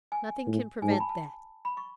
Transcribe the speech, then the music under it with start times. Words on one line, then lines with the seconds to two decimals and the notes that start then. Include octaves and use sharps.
Nothing can prevent that.
0.12 G#5
0.47 A2
0.82 G#2 G#5
0.91 A5
1.00 B5
1.09 A5
1.65 B5
1.77 C#6